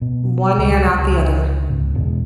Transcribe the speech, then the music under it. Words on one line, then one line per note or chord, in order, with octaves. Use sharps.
One ear and out the other.
B2
C#2
C#2
C#2 G#2
E2 B2 G#3